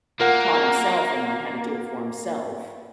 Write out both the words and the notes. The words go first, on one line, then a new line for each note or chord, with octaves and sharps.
taught himself and learned how to do it for himself.
A#3 F4 A#4 F#5